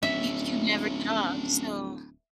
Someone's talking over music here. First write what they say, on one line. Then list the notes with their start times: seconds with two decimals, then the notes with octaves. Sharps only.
you you never get off. So
0.03 D1 C#4 E4 E5